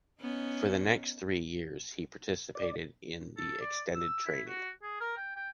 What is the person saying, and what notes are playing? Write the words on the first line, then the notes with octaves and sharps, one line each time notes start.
For the next three years he participated in the extended training.
B3 C#4 D#4
D5
A4
D5
E6
E4
F#4
G#4
A#4
G5
G5